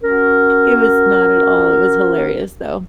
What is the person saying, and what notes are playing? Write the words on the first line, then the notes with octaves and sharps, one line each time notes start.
It was not at all. It was hilarious, though.
C#4 F#4 A#4